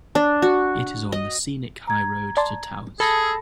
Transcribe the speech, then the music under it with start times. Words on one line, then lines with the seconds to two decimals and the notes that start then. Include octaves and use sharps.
It is on the scenic High Road to Taos.
0.15 D4
0.42 F#4
1.12 D#5
1.87 A#5 G#6
2.37 D5 A5 C6
3.00 G#4 A4 B5 A#6